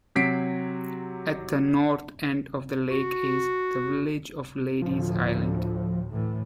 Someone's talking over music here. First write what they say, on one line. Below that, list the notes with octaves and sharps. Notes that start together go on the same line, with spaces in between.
At the north end of the lake is the village of Lady's Island.
C3 F#3 B6 C7 D7
F#4
D2 A2 F3
A2 E3